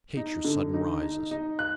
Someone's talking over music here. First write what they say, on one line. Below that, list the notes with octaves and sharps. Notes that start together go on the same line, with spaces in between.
I hate your sudden rises.
D#4
D3
D#4
D#4
D#4
F#6